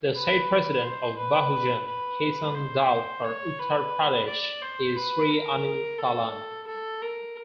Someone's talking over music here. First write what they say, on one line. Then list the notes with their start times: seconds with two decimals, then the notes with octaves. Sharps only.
The state president of Bahujan Kisan Dal for Uttar Pradesh is Sri Anil Talan.
0.15 B4
0.84 C5
1.17 B4
1.86 B4
2.55 C5
3.24 C#5
3.59 B4
4.27 D5
4.62 C5
4.96 B4
5.30 A#4
5.98 A4
6.67 A4
7.01 A#4